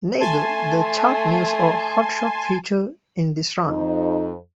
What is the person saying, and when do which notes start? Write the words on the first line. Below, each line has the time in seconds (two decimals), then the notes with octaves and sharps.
Neither The Chart News or Hot Shot feature in this run.
0.19 A3 G#5 A5 C6
3.67 F2 D#4